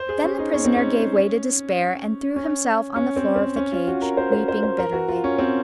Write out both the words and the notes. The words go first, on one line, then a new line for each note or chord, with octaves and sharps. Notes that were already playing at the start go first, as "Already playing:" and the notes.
Then the prisoner gave way to despair, and threw himself on the floor of the cage, weeping bitterly.
Already playing: C5
G#4
C#4
D#4
C#4
C4
C#4
C#4
C#4
C4
C4
C#4
F4
F#4
A#4
C5
C5
C5
C5
A#4
F#4
F4
C#4
C4